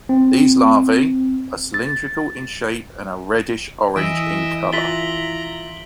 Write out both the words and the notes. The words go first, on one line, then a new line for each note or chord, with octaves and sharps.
These larvae are cylindrical in shape and are reddish orange in color.
C4
A6
E3 D#5 E5 D7
F4 E5 A#5 A6 B6 F#7 G7